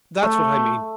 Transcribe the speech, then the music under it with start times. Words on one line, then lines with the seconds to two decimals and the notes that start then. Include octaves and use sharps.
That's what I mean.
0.23 A3